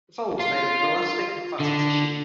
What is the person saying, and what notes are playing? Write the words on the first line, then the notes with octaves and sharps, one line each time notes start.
The folds are made up of elastic and fatty tissue.
F4
D3